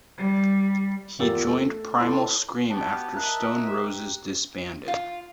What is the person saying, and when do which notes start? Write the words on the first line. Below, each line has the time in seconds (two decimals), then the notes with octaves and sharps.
He joined Primal Scream after Stone Roses disbanded.
0.17 G3
1.19 E2 F4 G4 A#4 E6 A6
1.44 A3
2.00 E4 A4 C#5 A5 C6
2.70 B3 F#4 G4 A5
3.16 A#4 D#5 E5 A#5 F#6
3.69 G4
4.88 F4